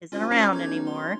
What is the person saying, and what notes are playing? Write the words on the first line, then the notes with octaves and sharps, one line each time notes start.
isn't around anymore,
C2 C#4 F4
C#4 A#5 D6 F6
B1 D#4 G#6
C6